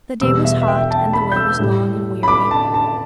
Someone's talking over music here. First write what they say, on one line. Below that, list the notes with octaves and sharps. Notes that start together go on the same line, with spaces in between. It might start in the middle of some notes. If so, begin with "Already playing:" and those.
The day was hot, and the way was long and weary.
E2 B2 G3 E6
E5
E5
G5
A5
B5
G6
E6
A2 G3
B5
D6
A5
A5